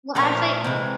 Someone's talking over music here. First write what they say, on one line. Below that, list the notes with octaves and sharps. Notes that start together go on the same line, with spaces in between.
Well, actually
A#2 F3 A3 A#4
C3 E3 G#3